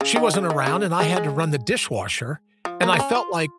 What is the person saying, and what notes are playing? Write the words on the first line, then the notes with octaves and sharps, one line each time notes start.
She wasn't around and I had to run the dishwasher, and I felt like,
C#3
D#3
C#3
D#3
C#3
G#3
G#3
F3
A#3
A#3
C#4
F4